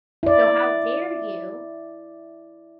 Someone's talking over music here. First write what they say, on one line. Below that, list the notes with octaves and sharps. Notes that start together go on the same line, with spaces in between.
So how dare you?"
E4 D5